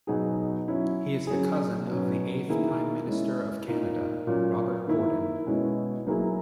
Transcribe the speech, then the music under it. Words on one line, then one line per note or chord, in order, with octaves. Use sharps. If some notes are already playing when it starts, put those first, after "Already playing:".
He is the cousin of the eighth Prime Minister of Canada, Robert Borden.
B2 F#3 B3 D#4 G#4
F#3 C#4 E4
F#3 C#4 G#4
B2 F#3 C#4
D#3 A#3 E4 G#4
G#3 C#4 E4
A#2 A#3 D#4
A#2 F#3 C#4
D#3 A#3 E4
B2 G#3 C#4 E4
F#3 A#3 E4 G#4